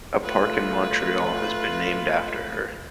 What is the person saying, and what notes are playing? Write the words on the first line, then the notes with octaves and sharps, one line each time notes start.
A park in Montreal has been named after her.
A3 F4 B4